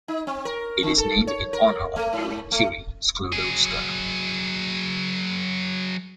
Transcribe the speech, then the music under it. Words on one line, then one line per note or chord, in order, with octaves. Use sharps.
It is named in honour of Marie Curie-Sklodowska.
D#4
C4
A#4
D3
A4
C#5
A#4
A3
G#2
A3
F#3 G#4